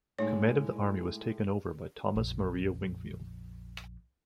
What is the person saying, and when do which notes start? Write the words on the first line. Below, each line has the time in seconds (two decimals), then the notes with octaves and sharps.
Command of the army was taken over by Thomas Maria Wingfield.
0.19 A2 G#3 D#4 C#5
2.16 A#1 F2